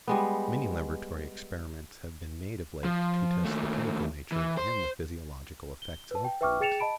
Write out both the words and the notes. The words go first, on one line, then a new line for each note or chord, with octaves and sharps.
Many laboratory experiments have been made of late to test the chemical nature and the physiological effects of foods.
G3 G#3 B3
F3
D#2 A3
E3
C5
G7
B4 A5
G5
B4 E5 G5 C#6 D6 F6
G#4 G5 A6 C#7 E7 F7
D#5 A5 B5 D7